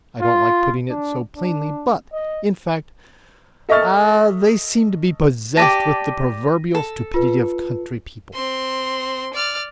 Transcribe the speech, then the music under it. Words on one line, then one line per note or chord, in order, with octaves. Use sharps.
I don't like putting it so plainly, but, in fact, ah, they seem to be possessed with the proverbial stupidity of country people.
F4
D4
D4
D#5
A4 D#5 E5 C#6 F6 A6
G4 D5 A5 A#6 B6 D#7
A4
F4 B4
C4 C6
D5 F6